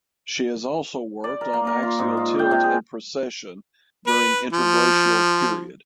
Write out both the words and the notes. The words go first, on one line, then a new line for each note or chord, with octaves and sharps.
She has also worked on axial tilt and precession during interglacial period.
D5
A#4
A#3
A#4
F4
G#2
F4
G5
C3
G#4
B4
F3